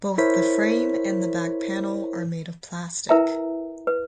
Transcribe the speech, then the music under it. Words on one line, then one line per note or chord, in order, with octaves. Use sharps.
Both the frame and the back panel are made of plastic.
E4 A#4 C5 C#5 B6
E4 A#4 B4 E5 G5 A#5
B4